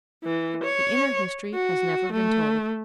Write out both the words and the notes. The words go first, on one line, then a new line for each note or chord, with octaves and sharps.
The inner history has never been told.
E3
C#5
F#4
A3